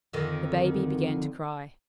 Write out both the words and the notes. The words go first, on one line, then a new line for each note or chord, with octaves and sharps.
The baby began to cry.
F2 D3 D#3